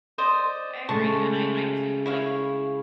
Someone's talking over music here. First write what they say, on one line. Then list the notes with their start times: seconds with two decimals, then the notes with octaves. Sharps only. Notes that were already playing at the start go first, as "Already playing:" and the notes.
I agree, and I I do, like
0.18 C5 D5 D#5
0.89 C#3 G#3 A3 A5 C#6
2.06 E4 C#5 F5